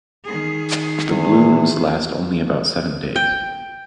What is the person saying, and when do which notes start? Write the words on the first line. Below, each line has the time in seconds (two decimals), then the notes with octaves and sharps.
The blooms last only about seven days.
0.24 D#3 G#4
1.09 E2
3.16 G5